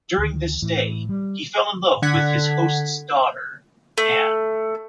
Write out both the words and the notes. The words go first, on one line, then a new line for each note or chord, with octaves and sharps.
During this stay, he fell in love with his host's daughter Anne.
D2 D#3
A2 E3
G3
D3 F#5 G#6 B6
A3